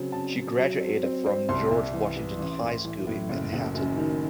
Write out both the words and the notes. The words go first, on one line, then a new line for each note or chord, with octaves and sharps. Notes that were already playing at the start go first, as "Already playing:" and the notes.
She graduated from George Washington High School in Manhattan.
Already playing: C#3 F#3 C4
C#3 A5
F#3
F#3
C4
C4
C4
C2 C6
C2
E3
E3
A1
A2
E3
A2
F#1
F#1
F#2
D#3